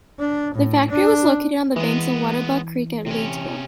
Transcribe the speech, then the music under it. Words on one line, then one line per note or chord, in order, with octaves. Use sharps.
The factory was located on the banks of Webatuck Creek at Leedsville.
D4
A2
D4
E3 G#3 B3
C3 C#4